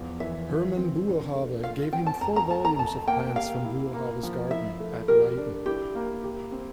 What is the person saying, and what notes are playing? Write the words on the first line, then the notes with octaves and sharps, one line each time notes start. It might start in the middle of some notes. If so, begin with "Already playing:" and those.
Herman Boerhaave gave him four volumes of plants from Boerhaave's gardens at Leiden.
Already playing: E2 F3
E3 E5
F3
C4
D4
A3
F4 F5
C4 G5
A5
F2 A#5
A#5
A3 A5
A#5
F2 A5
A#3 G5
G4 F5
E4
A#3
F3
E4 E5
A3
G4 A#4
D4
E4 G4
A#3
G4
C4